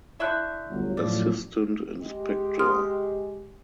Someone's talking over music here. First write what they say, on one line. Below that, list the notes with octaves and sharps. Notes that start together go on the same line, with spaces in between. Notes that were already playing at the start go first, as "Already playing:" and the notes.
Assistant Inspector.
D3 E4 E5 C#6 F#6 G6
G1 D2 F#3
F#2 A2 F3 D5
G#3 G4
C6 D#6 F6